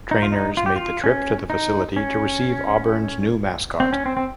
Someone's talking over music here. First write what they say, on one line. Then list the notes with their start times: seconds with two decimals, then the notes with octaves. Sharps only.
Trainers made the trip to the facility to receive Auburn's new mascot.
0.11 D#4
0.22 F4
0.32 D#4
0.57 F4
0.66 G4
0.76 F4
1.04 C#4
1.50 D#4
1.96 C#4
3.80 C4
3.93 C#4
4.06 C4
4.17 C4